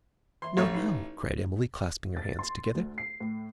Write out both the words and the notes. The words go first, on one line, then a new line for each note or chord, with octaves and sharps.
'No! no!' cried Emily, clasping her hands together.
E3 E5 C6
A1 A3 F#4 C#5
D#4 E4 B4
A6
C6
D2
C7
A2